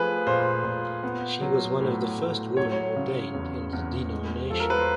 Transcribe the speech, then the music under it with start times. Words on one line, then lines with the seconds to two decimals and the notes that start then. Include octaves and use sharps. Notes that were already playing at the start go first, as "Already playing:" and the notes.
She was one of the first women ordained in the denomination.
Already playing: F3 A3 G#4 B4
0.27 A#2 C5
0.64 A#2
1.03 B3
1.41 F#3
1.80 A2
2.19 A2
2.57 F#3 C#5
2.72 C#5
2.96 C#3
3.34 E2
3.73 E2
4.12 G#3
4.50 F3 A4
4.60 A#4
4.70 B4
4.79 C5